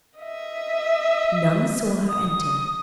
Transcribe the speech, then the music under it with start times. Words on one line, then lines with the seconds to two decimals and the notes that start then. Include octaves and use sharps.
None saw her enter.
0.19 D#5 E5
2.08 D#6